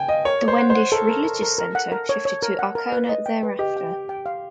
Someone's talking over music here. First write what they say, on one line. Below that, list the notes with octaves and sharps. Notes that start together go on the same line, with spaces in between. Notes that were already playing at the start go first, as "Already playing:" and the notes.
The Wendish religious centre shifted to Arkona thereafter.
Already playing: G5 G#5
D#5 F5
A#4 C#5
D5
C5
F#5
C5
F#5
A4 A#4
A#4
A#4
A#4
A#4
F#5
A#4
C#5
C#5
A#4
F#5
A#4
B4
D#5
G5
B4
G4 D#5
G5
G5
G5
F5